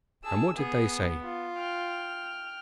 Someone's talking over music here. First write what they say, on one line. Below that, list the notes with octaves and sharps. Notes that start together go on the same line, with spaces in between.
'And what did they say?'
G#4 A5 E6
B3 G#4
F4
G5 F6